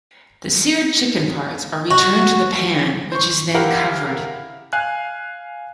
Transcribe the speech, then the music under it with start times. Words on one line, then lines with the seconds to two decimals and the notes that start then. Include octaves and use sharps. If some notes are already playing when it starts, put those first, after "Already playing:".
The seared chicken parts are returned to the pan which is then covered.
1.90 F#4
3.12 C5 C#6
3.55 E4 G4 A#4 F5 F#5
4.73 F5 G#5 F#6